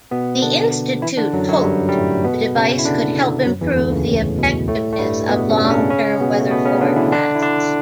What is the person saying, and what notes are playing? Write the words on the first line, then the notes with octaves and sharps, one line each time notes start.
The Institute hoped the device could help improve the effectiveness of long-term weather forecasts.
B2 B3
D3 D4
E3 E4
D3 D4
F#2 F#3
F#2 F#3
G2 G3
G3
A2 A3
B2 B3
C#3 C#4
E4
D3 D4
F#2 F#3
E2 E3
D2 D3
C#2 C#3
A2
B2
A2 A3
A3
G2 G3
B2 B3
C#3 C#4
D4
C#3 C#4
C#3 C#4
B2 B3
A3
B2 B3
C#3 C#4
D3 D4
E3 E4
D3 D4
E4
D3 D4